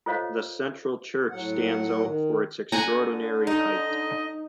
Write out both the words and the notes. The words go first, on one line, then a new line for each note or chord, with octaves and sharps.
The central church stands out for its extraordinary height.
F4 A4 C5 C#5 D#5 F5
A2 F#3 F#5
D#3
D3 F#5 G#5 A#5
D#4 D#5